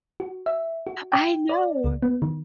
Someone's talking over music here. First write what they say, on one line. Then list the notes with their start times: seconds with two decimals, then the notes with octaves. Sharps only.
I know!
0.20 F#4
0.46 E5
0.87 F#4
1.12 G5
1.49 D5
1.84 C#2
2.03 B3
2.22 D#3